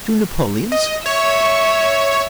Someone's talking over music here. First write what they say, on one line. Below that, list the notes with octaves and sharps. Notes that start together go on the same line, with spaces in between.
"Two napoleons."
D#5
C#5 E5